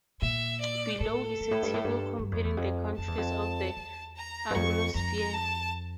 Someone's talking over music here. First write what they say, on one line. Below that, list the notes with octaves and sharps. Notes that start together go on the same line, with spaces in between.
Below is a table comparing the countries of the Anglosphere.
A#2 E5
D5
A2 A4
G2
A2
G2
A2
G2
G2
F2
E2
F2
F2 A5
E2
F2
E2
A#5
G2
F2 C#6
F2 A#5
A5